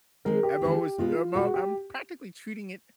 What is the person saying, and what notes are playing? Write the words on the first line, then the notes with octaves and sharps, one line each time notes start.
I'm always I'm all I'm practically treating it
D#3 G#3 C4 A#4
G4
D#3 G#3 C4
B2 G#3 B3 F4
B2 G#3 B3 F#4
G4